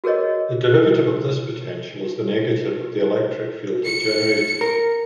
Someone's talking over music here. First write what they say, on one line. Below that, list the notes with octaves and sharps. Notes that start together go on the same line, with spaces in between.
The derivative of this potential is the negative of the electric field generated.
F#4 G#4 A#4 C#5 D#5
E4 A#4
C#7
A#4